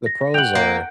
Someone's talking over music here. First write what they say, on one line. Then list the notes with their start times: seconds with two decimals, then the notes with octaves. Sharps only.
the pros are
0.06 A#6
0.34 F#5 G5 F7 F#7
0.55 A#3